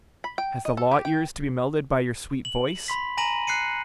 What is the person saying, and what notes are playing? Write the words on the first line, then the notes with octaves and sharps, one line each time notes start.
Has the law ears to be melted by your sweet voice?
B5
G5
D#5
A4
G4
G5
F#7
B5 C6 B6
G#5 A#5 B5 A#6 D#7 F#7
F#6 C7 C#7 D#7